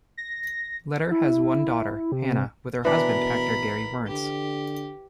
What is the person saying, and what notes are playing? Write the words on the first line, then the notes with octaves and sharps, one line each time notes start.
Leder has one daughter, Hannah, with her husband actor Gary Werntz.
A#6
E4
C3
B2 E3 D4 A#4 B5
D3 G4